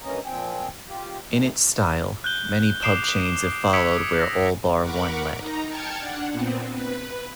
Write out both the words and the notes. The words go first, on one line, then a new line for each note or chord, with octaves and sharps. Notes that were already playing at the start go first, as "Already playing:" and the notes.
In its style, many pub chains have followed where All Bar One led.
G2 E3 A#3 C#4 D#5 A#5
A#2 F3 C4 G5 G#5
F4 G4
D#2 A2
F#6 G6 G7
D6 D#6 C7 D7 E7 G7
D#6 E6 G#6 B6 C#7 D7
A#6
A#4 F#5 B5 C#6 D6
D#4 A#5
G5 A5 F6 G#6 C#7
D4 F#5
A#2 B3 C4
B4